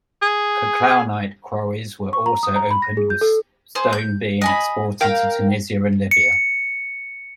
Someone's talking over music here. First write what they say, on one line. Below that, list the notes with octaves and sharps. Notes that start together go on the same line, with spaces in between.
Calcarenite quarries were also opened with stone being exported to Tunisia and Libya.
G#4
C#6
A#5
D#6
A#5
B5
A#6
G#4
G6
A4
G#4 C5
G6
D#5 G#5 B5
A#4 F5 G5
C#7